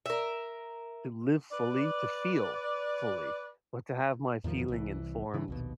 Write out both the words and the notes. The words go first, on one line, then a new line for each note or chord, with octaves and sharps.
to live fully, to feel fully, but to have my feeling informed
A#4 E5
B4 D5
E2 A2 D#3 F3
C2 E3
C#3 E3
A#1 D#2 B2